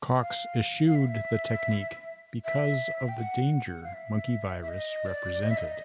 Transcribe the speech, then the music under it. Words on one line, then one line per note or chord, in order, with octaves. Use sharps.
Cox eschewed the technique because of the danger monkey virus represented.
F5
F5
E5
E5
G5
F#5
F#5
F5
E5
E5
D#5
D5
D#5
E5
D#5